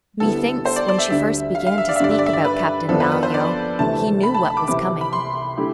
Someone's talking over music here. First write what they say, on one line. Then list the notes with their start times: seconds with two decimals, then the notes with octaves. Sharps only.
Methinks when she first began to speak about Captain Malyoe he knew what was coming.
0.20 D2 D3 G3 B3 E4 A4
0.65 C5
0.76 D5
0.88 D5
0.98 E5
1.10 D2 D3 G3 E5
1.55 F5
1.67 F5
1.78 E5
1.89 D5
1.96 E5
2.00 G2 D3 G3 D5
2.11 E5
2.19 D5
2.26 E5
2.33 D5
2.45 B4
2.89 F2 D3 F3 B3 D4 A4
3.00 B4
3.12 B4
3.23 C5
3.34 D5
3.79 D2 C3 E3 A3 A5
4.23 B5
4.35 A5
4.45 B5
4.57 D6
4.68 C2 C3 E3 D6
5.01 B5
5.13 C6
5.57 D3 A3 E4 G4